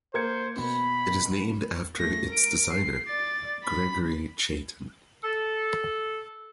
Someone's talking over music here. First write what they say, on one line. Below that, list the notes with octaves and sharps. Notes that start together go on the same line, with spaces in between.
It is named after its designer, Gregory Chaitin.
A#3 C5 G#6 C#7
B2 B5
A3 A#6
A#4 D7
C7
D5 A6
B5
A4